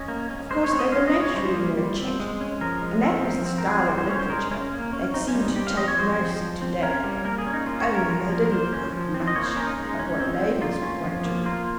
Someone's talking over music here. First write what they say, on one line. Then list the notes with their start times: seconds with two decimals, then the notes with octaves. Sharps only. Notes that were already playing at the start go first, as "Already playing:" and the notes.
Of course, they were naturally more chatty, and that was the style of literature that seemed to take most to-day; only they didn't write much but what ladies would want to read.
Already playing: C#4 D#5
0.08 A#3
0.30 C#4
0.51 G#3 C5
0.64 C#5
0.72 C4
0.79 D#5
0.92 G#3 F5
1.07 D#5
1.14 C#4
1.21 C#5
1.34 G3 C5
1.56 A#3
1.77 G3
1.98 C4
2.20 G#3
2.41 C#4
2.61 F3 A#4
2.82 G#3
3.04 C4
3.24 F3
3.46 C4
3.58 A#4
3.67 F3 G#4
3.87 G3 C5
3.98 C5
4.08 C#4 C#5
4.20 C5
4.30 G#3 A#4
4.51 C#4
4.72 A#3
4.93 C#4
5.14 C4 D#4
5.28 C#4
5.35 G3
5.42 D#4
5.56 C4 G4
5.67 F5
5.77 F3 D#5
5.88 C#5
5.98 C4 C5
6.19 F3
6.40 F3
6.62 C4
6.83 C#4 A#4
7.04 G3
7.25 A#3 A#4
7.38 G#4
7.46 C#4
7.53 D#4
7.66 A#3 F4
7.81 C#5
7.88 C#4
7.95 A#4
8.10 F3 A#4
8.30 A#3
8.46 A#4
8.51 A#3 C5
8.73 C#4
8.93 F3
9.14 C4
9.27 D#5
9.36 A#3 C#5
9.46 C5
9.56 C#4 A#4
9.67 D#4
9.77 G#3 D#4
9.99 C#4
10.20 C4
10.40 F3
10.61 A#3 F4
10.82 C#4
11.03 F3
11.25 A#3
11.46 A#3 F4